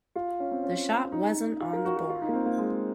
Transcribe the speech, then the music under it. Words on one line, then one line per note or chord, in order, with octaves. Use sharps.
The shot wasn't on the board.
F4
C#4
C4
C#4
D#4
F4
A#4
F#4
F#4
F4
D#4
A#3
C4
A#3
G#3